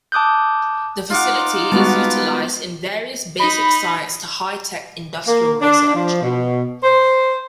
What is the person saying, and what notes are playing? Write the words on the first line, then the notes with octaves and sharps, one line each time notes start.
The facility is utilized in various basic science to high-tech industrial research.
A5 D6 D#6 F#6 G6
D#4 F4 F#5 D6
G3 G#3 B3 F#4 A5
D#4 B5
A#3
D4
F3
B2
C5